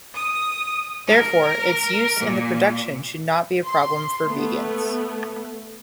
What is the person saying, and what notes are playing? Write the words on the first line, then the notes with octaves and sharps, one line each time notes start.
Therefore, its use in the production should not be a problem for vegans.
D#6
A#4
A#2
C6
A3 B3